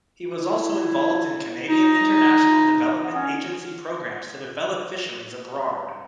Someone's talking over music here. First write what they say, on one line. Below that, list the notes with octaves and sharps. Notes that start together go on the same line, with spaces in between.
He was also involved in Canadian International Development Agency programs to develop fisheries abroard.
E4
D#4
B3
C#4